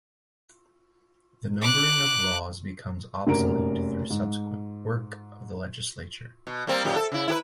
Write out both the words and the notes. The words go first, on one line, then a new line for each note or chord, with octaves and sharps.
The numbering of laws becomes obsolete through subsequent work of the legislature.
D6 F#6
F1 F#2 A#3 A#5 D7
G#2
B2
G3 A#3 C4
F#2 A#2 G4
A4
C#3 E4
E4 G4 B4